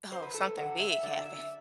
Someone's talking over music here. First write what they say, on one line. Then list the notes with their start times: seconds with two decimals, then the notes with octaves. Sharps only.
Oh, something big happened,
0.11 F#2 F#3 C5
0.22 B4
0.34 A4
0.57 F#2 D3 F#3 F#5
0.80 E5
0.94 E5
1.03 F#2 D3 F#3 D5
1.25 E5